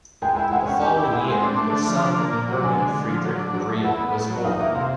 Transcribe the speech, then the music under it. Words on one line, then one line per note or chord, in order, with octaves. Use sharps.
The following year, their son Hermann Friedrich Maria was born.
G#3 G5
E4 G5
G#3 F#5
C#4 G5
G4 G#5
E4 G5
G#3 F#5
C4 G#5
D4
A3
D3
F3
D4
A#3
A#2
F#3
D3 G#5
G#3
D3
F3
F#3
D4
F#3
A3
E4 F#5
B3
A2
F#3
D#4 F5
A#3 E5
C3 F5